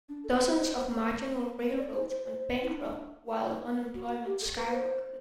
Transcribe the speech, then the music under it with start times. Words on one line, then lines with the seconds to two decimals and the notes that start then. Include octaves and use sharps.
Dozens of marginal railroads went bankrupt while unemployment skyrocketed.
0.09 D4
0.24 A4
0.40 C5
1.78 D5
1.94 C5
2.10 C5
2.25 C5
2.40 C5
2.62 E4
2.71 D4
3.95 F#4
4.26 G4
4.41 A4
4.57 B4
4.72 C5